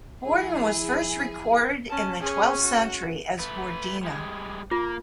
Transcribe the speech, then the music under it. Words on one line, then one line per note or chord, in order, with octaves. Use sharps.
Borden was first recorded in the twelfth century as "Bordena".
F3 E4 G#4
C#4 A5
C#4 G#4 C#5
F#4
A3 B4
G3 G#3
A#3 F4